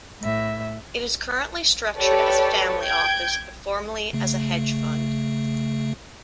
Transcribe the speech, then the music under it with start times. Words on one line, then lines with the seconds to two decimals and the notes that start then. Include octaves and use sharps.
It is currently structured as a family office but formerly as a hedge fund.
0.21 A2 E5
1.97 G4 A4 B4 C#5 D5
2.80 G5 G6 G#6 D7
4.13 C#3 A3